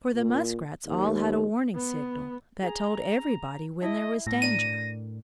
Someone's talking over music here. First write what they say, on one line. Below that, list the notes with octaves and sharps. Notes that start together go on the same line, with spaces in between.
For the Muskrats all had a warning signal that told everybody when there was danger.
A#2
D#2
B3
G#4 A#5
E4 D#5 E5 A5
A2 A#6
D4 A#4 D5 D#7